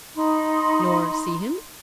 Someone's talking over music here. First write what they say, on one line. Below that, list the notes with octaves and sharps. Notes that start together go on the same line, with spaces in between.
"Nor see him?"
D#4 B5 C6